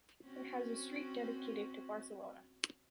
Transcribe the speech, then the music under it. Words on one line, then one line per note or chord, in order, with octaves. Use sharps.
It has a street dedicated to Barcelona.
C4 C#4 F#4